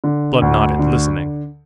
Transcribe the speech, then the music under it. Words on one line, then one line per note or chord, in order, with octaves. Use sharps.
Blood nodded, listening.
D3
D2
D3